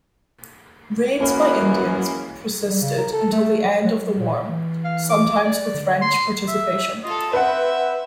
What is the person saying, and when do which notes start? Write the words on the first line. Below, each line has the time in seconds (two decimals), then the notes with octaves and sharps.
Raids by Indians persisted until the end of the war, sometimes with French participation.
1.21 F#2 E3 G#3 A#3 C#4 B4
2.68 G3
2.81 C#3
2.98 A#4
3.12 A4
3.32 A3
3.63 F#3
3.85 F#3
4.18 A#2
4.49 E3
4.85 F5
5.10 D6
5.45 D5
5.74 D3
6.02 C6
6.48 E5
7.04 F4 A4 D#5
7.33 C4 B4 E5 F#5